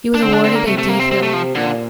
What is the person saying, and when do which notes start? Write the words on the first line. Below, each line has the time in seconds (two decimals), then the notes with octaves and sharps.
He was awarded a D. Phil.
0.14 D4
0.21 D3 C4
0.33 D4
0.44 C4
0.55 A#3
0.66 C3 A3
0.78 A3
0.89 A#3
0.99 C4
1.11 C4
1.23 A3
1.33 F3
1.55 A#2 D3